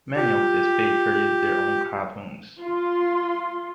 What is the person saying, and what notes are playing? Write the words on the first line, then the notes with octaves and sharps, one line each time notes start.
Many of these feature in their own cartoons.
F4 G4
F4 C6